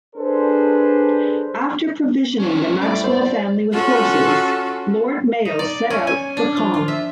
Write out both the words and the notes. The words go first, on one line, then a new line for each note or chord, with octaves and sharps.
After provisioning the Maxwell family with horses, Lord Mayo set out for Cong.
D4 G#4 A4 B4 C5
C#4 D4 C5
G3 A3 E4 D5
C5
C#4 F4 F#4 A4
D#4
D5
C#4
G#5
D4
F3
F4
E5